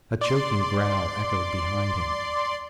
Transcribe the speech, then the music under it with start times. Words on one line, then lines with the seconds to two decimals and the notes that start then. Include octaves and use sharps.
A choking growl echoed behind him.
0.21 D5 C6